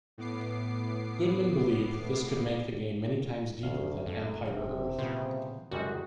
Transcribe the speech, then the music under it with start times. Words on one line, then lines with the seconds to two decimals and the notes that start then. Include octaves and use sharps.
Goodman believed that this could make the game many times deeper than "Empire Earth".
0.18 A2 B3 D6 C7
3.63 G#1 D2 G#2 F5
4.06 F#2 A3
4.45 F#1 C3 C#4
4.99 A#2 C#3 G3 B3 C5
5.71 F#2 A2 C#3 G3 G#3 F#4